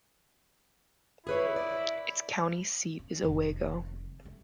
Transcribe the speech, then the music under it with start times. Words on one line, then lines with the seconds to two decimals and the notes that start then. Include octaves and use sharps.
Its county seat is Owego.
1.27 E4 G#4 B4 C#5
1.56 D5
2.99 C#4
3.23 F1 D#3
4.25 A3